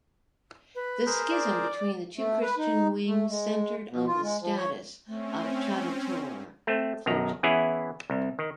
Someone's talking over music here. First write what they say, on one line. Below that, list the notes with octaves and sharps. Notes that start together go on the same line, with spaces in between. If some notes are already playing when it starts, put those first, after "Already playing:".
The schism between the two Christian wings centered on the status of traditore clergy.
B4
G#4 A#4 C5
D5
A3
B4
D#4
A3
G#3
B2
F4
G#3
F3
C#5
A3 C4 C#4
A3 C4
B1 F#2 D#3 A#5
E3 B3 C#4 E4 G#4
C2
D#3